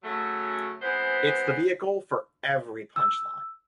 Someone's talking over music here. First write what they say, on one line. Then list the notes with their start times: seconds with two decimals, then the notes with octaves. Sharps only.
It's the vehicle for every punchline.
0.03 C#3 F#3 A3
0.82 E3 G#3 B3 C4 B4 C5
2.96 E6